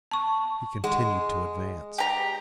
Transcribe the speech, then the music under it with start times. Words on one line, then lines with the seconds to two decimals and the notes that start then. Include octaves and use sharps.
He continued to advance.
0.11 A5 C#6
0.84 G#3 G#4 F#5
1.98 G4 A#5